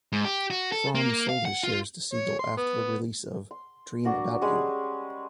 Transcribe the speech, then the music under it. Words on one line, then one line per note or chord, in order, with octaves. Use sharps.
Fromm sold his shares to Segal after the release of "Dream About You".
G#2
G4
F#4
A4
A#3
F5
F#5
F4
C#5
C6
B3
C6
D4 F#4 A#4
G3 G#3 C#4 G#4